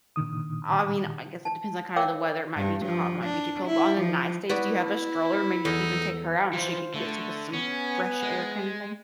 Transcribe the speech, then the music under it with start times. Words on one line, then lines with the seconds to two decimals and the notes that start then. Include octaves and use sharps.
I mean, I guess it depends on, kind of, the weather- it might be too hot, it might be too cold- but on the nice days, do you have a stroller? Maybe you could even take her out, and she could get some just some fresh air, kinda thing?
0.16 A#2 D3 D#3 D#6
1.45 A5
1.96 A#4 C#5 F5 G5 D6 E6
2.57 G2
2.86 F3
3.25 D4
3.66 E4
3.99 F3
4.49 B3 E4 F#4 D5
5.65 E2 D#4 A4
6.53 E3 F3 F4 C5
6.94 D3 A3
7.53 B3 C#4 G#5
8.22 G#3